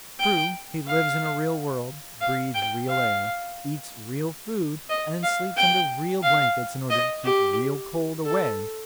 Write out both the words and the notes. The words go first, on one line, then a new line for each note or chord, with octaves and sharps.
True, he lives in a real world, breathes real air, eats real food, and sleeps under real blankets, in order to keep real cold away.
G5
F5
F5
G5
F5
D#5
F5
G5
F5
D#5
G4
A4